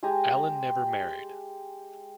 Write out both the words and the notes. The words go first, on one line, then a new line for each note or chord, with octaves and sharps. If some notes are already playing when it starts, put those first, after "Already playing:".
Allen never married.
G#3 G4 G#5 A#5